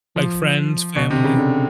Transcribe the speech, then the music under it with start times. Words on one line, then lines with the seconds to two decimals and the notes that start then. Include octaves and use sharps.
Like, friends, family?
0.16 F3
0.96 B2
1.10 C3
1.24 C#3
1.37 D3